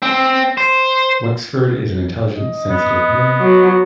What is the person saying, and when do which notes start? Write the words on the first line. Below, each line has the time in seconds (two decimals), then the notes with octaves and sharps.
Wexford is an intelligent, sensitive man.
0.02 C4
0.58 C5
2.36 D#5
2.70 B3
3.40 F#3